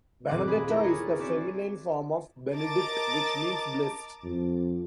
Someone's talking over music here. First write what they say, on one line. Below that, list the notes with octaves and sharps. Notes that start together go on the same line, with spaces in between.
Benedetta is the feminine form of "Benedict" which means blessed.
D#1 C4 D6 F#6
G#4 F5 B5
E4 G4 A#4 D5
G#4 C#5 D5
C4 F#4 D5 E5
A#4 D#5 A5 A#5 D6 A6
F2